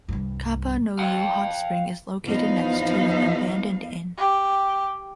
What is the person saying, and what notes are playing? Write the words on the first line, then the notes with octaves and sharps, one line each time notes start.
Kappa-no-you Hot Spring is located next to an abandoned Inn.
C2 G2
F5 G5
E2 F3 B3 D#4 F5
G4